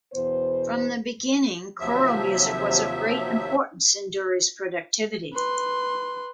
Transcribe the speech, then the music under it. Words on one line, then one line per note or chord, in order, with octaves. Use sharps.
From the beginning, choral music was of great importance in Durey's productivity.
E2 B2 B3 C5
D#2 C3 F3 F#3 E5
B4 C6